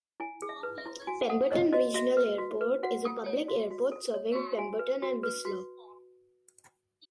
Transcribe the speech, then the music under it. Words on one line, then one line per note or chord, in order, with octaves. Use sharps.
Pemberton Regional Airport is a public airport serving Pemberton and Whistler.
E4 G#5
G#4
E5
B4
E5
E4
F#4 G#5
A4 F#5
C#5 D#5
F#4 D#5
F#4 E5
B4
F#4
B4
F#4 F#5
A4
C#5
F#4
F#4
A4
C#5
F#4
F#4 G#5
B4
F#4
B4
F#4